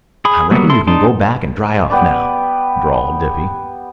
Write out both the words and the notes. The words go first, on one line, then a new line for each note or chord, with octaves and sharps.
"I reckon you kin go back and dry off now," drawled Dippy.
G#4 B5
F#3 G3 A#3 B3
E4 A4 C6
D4 D#4 A5 C6
B3 G4 B4 D5